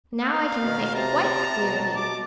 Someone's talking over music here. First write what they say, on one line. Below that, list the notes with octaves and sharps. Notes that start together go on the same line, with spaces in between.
"Now I can think quite clearly."
F5
B2 D#3
C3 A5 A#5
B2
D6